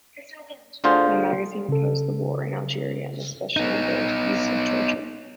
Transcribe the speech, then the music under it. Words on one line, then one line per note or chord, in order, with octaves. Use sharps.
The magazine opposed the war in Algeria, and especially the use of torture.
D2 D3 F4 G#4 C5
C#3 A4
B3 D#4